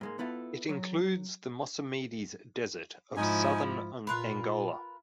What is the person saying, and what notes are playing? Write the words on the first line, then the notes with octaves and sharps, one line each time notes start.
It includes the Mossamedes Desert of southern Angola.
G#2 G#3 A#3
B3 E4 F4 A4
F#3
G#2 F3 D#4 E4 G#5
A#2 F4 A#4 B4 B5 C6 F#6